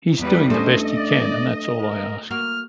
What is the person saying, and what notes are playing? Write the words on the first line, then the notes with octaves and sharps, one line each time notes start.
He's doing the best he can, and that's all I ask.
E2 G3 B4
A3 C#4 D4 C5 D#5
D5
A#4
A#3 F#4 F6